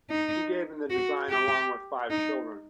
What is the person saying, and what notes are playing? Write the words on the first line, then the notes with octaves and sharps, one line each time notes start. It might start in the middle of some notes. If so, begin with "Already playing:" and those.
She gave him the design, along with five children.
D#4
F#4
G4
D#4